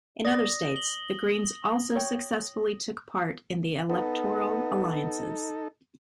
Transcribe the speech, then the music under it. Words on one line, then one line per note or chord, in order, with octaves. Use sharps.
In other states, the Greens also successfully took part in the electoral alliances.
D5 D#6 A#6
F#7 G7
C#5 G5
B3 D#4 A4